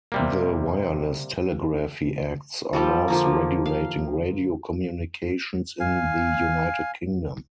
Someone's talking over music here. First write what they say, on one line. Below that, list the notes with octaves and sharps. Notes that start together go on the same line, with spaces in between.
The Wireless Telegraphy Acts are laws regulating radio communications in the United Kingdom.
C3 G3 A#3
F3 G3 A4
D3 F3 A#3
F5
F5 G#5